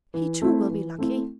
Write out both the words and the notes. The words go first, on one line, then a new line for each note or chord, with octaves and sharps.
He, too, will be lucky.
E3
A3 C4 E4
E3
A3 C4 E4